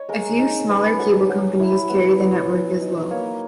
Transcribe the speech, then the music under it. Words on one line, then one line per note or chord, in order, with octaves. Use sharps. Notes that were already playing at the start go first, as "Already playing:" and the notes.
A few smaller cable companies carry the network as well.
Already playing: C#5 D#5
G#3 A#4
D#4
C#4 B4
F#3
F#3
E4
B3
F#3
F#3
D#4
A#3 C#5